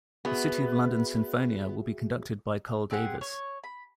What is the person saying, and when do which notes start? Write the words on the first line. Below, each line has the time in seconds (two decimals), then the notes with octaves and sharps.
The City of London Sinfonia will be conducted by Carl Davis.
0.25 B3 F#4 G#4 E5
2.91 C4 G4 G#4 F#5
3.21 C#5
3.64 B5